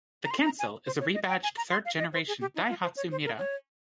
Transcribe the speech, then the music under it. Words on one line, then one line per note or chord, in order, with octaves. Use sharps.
The Kancil is a rebadged third generation Daihatsu Mira.
A#5
C6
A#5
G#5
C5
C#5
D#5
G5
G#5
A#5
C6
F5
D#5
C5
G#4
G4
D#4
F4
C5
C#5
C5
A#4
C#5